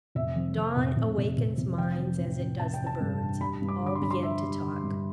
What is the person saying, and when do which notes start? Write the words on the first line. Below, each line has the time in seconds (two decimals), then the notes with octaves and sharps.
Dawn awakens minds as it does the birds; all began to talk.
0.15 F1 E5
0.36 F2
0.57 F2
0.76 F1
0.97 F1
1.17 F1
1.38 F1
1.58 F1
1.78 F3 G5
1.98 F3
2.18 A1
2.39 A1
2.59 A1 A5
2.74 G5
2.80 A1
2.87 A5
3.01 G2
3.21 A1
3.41 G3 B5
3.62 G2
3.69 D6
3.82 D3 D6
3.95 C6
4.01 G2 B5
4.11 C6
4.23 G3 E5
4.43 G3
4.64 D3
4.84 G2